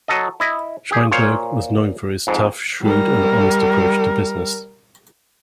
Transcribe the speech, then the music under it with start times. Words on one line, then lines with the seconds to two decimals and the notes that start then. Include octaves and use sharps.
Sheinberg was known for his tough, shrewd and honest approach to business.
0.08 F#3 A4 D#5
0.40 E4 D#5
0.91 G4 G#4
1.12 A#2 C5 C#5 F5
2.27 F2 G#2
2.82 G3 A#4